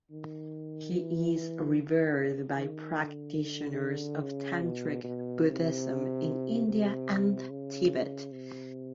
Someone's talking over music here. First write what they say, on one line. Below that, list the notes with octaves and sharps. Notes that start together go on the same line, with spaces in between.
He is revered by practitioners of tantric Buddhism in India and Tibet.
D#3
E3
D#3
D3
C#3
B2
B2
C3
C3
C#3
C3